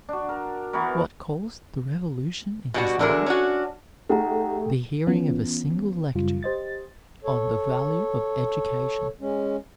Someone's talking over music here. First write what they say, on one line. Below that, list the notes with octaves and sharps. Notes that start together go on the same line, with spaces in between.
What caused the revolution in his life? The hearing of a single lecture on the value of education.
D4 F#4
A#4
E3 B3 F#4 A#4
B2 G3 F#4
E2 D3 D4 F#4 G#4 A#4
C#4 D4 F#4
A3 D#4 G4 G#4 F#5 A#5
E3 B3 C#4 F4
F#2 C#3 G3 F4
G4 C5 D#5 A6
A4 C#5
G#3 C#4